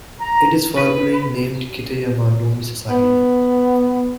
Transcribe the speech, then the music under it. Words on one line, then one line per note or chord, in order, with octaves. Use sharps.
It is formally named "Kitayama no misasagi".
A#5
B4
B3